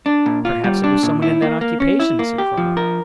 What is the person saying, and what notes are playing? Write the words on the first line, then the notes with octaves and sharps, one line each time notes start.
"Perhaps it was some one in that occupation," said Cromwell.
D4
A#2
F4
G3
D4
A#2
E4
A#3
A#3
C#4
E4
A#3
G4
F3
A#4